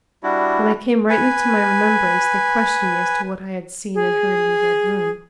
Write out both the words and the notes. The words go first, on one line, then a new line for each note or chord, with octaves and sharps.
When I came rightly to my remembrance, they questioned me as to what I had seen and heard in the Red Room.
G3 D4 E4 F#4
B4 G#5
G#4